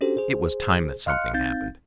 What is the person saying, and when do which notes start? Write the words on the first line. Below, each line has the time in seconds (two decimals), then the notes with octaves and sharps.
It was time that something happened.
0.01 C#4 D4 F#4 G4 A4 C5
0.17 G#4 C5
1.06 D#5 F5 C6 F6 F#6 C#7
1.34 C4 D#4 F5 G6 A6